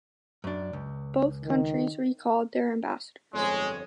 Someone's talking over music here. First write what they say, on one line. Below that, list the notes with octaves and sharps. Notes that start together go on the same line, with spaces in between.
Both countries recalled their ambassadors.
F#2 D4
C#2
D#3
G1 F2 G#3 C#5